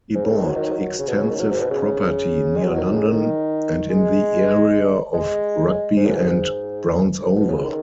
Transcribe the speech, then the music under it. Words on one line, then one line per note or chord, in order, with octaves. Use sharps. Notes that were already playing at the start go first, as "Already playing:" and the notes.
He bought extensive property near London and in the area of Rugby and Brownsover.
G#2
C#3
D#3
F#3
D#3
F#3
C#3
B2
C#3
D#3
F#3
G#2
B2
C#3
G#3
F#3
D#3
C#3
D#3
G#3
G#3
G#2
F#2
G#2
G#2
B2
C#3
D#3